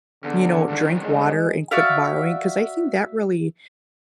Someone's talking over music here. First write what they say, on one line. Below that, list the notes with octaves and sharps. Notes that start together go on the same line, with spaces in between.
you know, drink water and quit borrowing 'cause I think that really
E2 D3
G2 D#3
G#3
F#4 D5 E5 F5